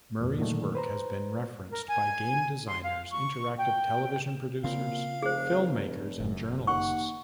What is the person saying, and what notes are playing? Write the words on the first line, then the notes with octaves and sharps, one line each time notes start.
Murray's work has been referenced by game designers, interactive television producers, filmmakers, and journalists.
E2 G2 A#2
A#2 D3 D#3 F#3 A3
B4 C5 A#5
A#4
G#5
C6
F5
C#6
G5
A#2 C#3 C4 F5
F1 G#4 C5
F#1 F#2
D#2 F#5 C#6